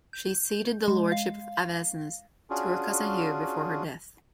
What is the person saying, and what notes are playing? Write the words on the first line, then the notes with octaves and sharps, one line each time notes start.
She ceded the lordship of Avesnes to her cousin Hugh before her death.
G6
G#3
F5
C#4 D4 F4 F#4 G#4